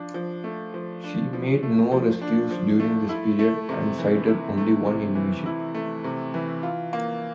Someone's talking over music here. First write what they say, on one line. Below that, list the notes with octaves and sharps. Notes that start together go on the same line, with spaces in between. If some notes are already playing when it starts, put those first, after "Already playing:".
She made no rescues during this period and sighted only one enemy ship.
Already playing: F3 D4
F3
A3
F3
D4
F3
A3
F3
D4
F3
A3
E4
A3
C3
E3
E4
A3
C3
E3
E4
A3
C3
E3
F4
A#3